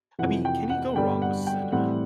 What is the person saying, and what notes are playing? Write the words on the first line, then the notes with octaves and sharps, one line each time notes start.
I mean, can you go wrong with cinnamon?
F2 C3 E3 F#5
G5
F#5
G2 D3 G3 B3 D4 G5
F#5
G5
A2 E3 G3 C4 F#5